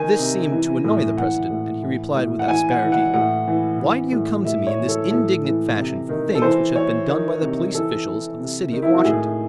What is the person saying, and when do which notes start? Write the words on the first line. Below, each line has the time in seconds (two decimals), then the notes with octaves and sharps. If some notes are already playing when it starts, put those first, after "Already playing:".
This seemed to annoy the President and he replied with asperity, "Why do you come to me in this indignant fashion for things which have been done by the police officials of the city of Washington?"
Already playing: D#3 G#5
0.19 C3
0.51 E3
0.84 A2
1.17 E3 F#5
1.50 A2
1.83 E3
2.16 A2
2.39 F#5
2.48 E3 G#5
2.71 F#5
2.82 E3
2.92 F#5
3.14 A2 F#5
3.47 E3
3.80 E3
4.12 A2
4.45 A2 E5
4.67 C#5
4.79 E3
4.89 A4
5.10 A2 A4
5.44 E3
5.76 C3
6.09 D#3
6.35 A4
6.42 E3 C5
6.75 E3 C#5
7.08 D#3
7.41 C3
7.74 E3 A4
8.07 E3
8.39 C3
8.72 D#3
8.82 E4
8.95 F#4
9.05 A2 G#4